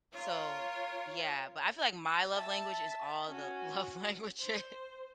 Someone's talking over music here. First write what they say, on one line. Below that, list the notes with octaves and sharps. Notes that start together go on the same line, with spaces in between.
So, yeah, but I feel like my love language is all the love languages.
F4 A#4 C#5
E5 A5
C#4 F#4
C5